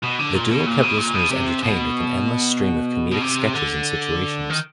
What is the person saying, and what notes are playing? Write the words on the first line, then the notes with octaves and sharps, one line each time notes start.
The duo kept listeners entertained with an endless stream of comedic sketches and situations.
B2
D3
A#2
B2
A#2
B2
A#2
B2
C3
B2
B2
C3
D3
D#3